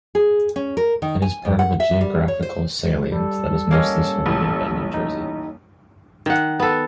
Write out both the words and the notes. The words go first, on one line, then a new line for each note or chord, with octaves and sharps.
It is part of a geographical salient that is mostly surrounded by New Jersey.
G#4
C#4
A#4
D#3
G#5
F2
F#5
E5
G3
C#5
C5
G3 A4
A#3 C#4 D#5
D#1 A1
D#4
D#3 F#5
B3 A4